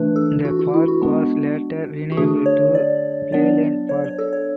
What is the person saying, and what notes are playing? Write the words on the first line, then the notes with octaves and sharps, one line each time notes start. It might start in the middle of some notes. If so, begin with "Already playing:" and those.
The park was later renamed to Playland Park.
Already playing: E3 A3 D4 B4
A4
F#4
F#4
E4
F#4
G#3 B3 D4
F#4
D3 A3 D4 G#4
C#5
D5
F#3 B3 D4 D5
C#5
C#5
A4
C#5